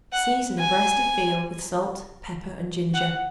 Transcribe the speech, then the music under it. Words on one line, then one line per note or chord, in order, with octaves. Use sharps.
Season a breast of veal with salt, pepper and ginger.
F#5
G#5
F#5